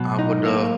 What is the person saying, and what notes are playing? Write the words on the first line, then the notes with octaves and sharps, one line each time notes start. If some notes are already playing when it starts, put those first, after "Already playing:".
I would, uh,
Already playing: B2 F#3
D#4
A#3